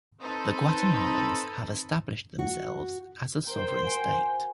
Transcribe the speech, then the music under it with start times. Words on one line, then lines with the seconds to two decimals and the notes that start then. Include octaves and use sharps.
The Guatemalans have established themselves as a sovereign state.
0.21 C4 D#4 A4 B4
2.39 F#4
3.47 A#4 C5 G5
3.84 F#4 G#5